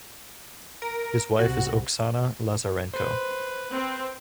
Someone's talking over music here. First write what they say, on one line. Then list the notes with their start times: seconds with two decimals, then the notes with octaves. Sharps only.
His wife is Oksana Lazarenko.
0.82 A#4
1.39 C2 C3 F#4
2.94 B4 C5
3.72 C4